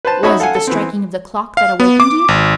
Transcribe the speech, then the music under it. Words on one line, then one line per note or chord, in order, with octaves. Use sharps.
"Was it the striking of the clock that awakened you?"
B4 C5 A5
D#4 F#4 C#5 E5 B5 D#6
A4 F5 F#5 G#5
A4
E3 B3 C4
F5
B3
D6
G#1